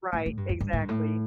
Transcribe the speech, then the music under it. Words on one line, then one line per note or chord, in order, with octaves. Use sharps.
Right, exactly.
A2
A2
G2
F2
G2
A2
G2
A2